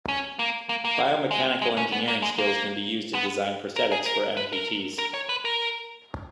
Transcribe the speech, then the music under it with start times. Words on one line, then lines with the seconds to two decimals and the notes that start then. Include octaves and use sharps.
Bio-mechanical engineering skills can be used to design prosthetics for amputees.
0.08 C#4
0.39 A#3
0.69 A#3
0.85 A#3
1.31 G#3
1.62 G#3
1.77 C#4
1.92 B3
2.08 A#3
2.22 G#3
2.38 A#3
3.15 B3
3.76 A#4
3.92 G#4
4.06 A#4
4.37 B4
4.53 A#4
4.98 A#4
5.14 C#5
5.29 B4
5.45 A#4